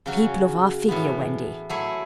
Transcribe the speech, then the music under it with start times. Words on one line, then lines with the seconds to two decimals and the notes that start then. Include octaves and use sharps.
'People of our figure, Wendy.'
0.06 C#3 F#3 C#4 F#4
0.88 A2 E3 B3
1.69 F#3 A3 E4 G#4